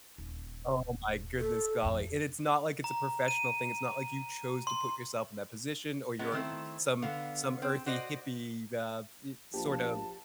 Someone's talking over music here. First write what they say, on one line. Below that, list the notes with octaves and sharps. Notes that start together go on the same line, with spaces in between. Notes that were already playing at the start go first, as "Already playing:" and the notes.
Oh my goodness, golly. And it's not like it's a professional thing. It's not like you chose to put yourself in that position, or you're some some earthy hippie, uh, e sort of
D#1
A4
G#1 F2
A#5
D#7
C6
F#3 G#3 B3 C#4
D#3 A3 C4 E4
D3 B3 F5
C4
F#4 C5 D5 D#5
A#1 F3 G4 A5